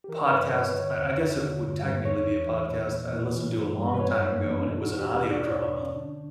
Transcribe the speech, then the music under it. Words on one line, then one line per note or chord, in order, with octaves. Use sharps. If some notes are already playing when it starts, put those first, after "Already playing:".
podcast, I I guess it would technically be a podcast, I listened to a long time ago and it was an audio drama,
G4
E3 A#4
B4
G2
C#5
G2 B4
D3 C#5
E2
E2
D3
G2
G2
E2 C#5
E2
E3
A#2
A#2
A#2
E3
G2
G2
B4
F#2 C#5
F#2
A#3
E3 B3
C#4
B2 D4
F#4
E2
G4
E2
B2 D5
C#5
E2
E2
C#4
D3 D4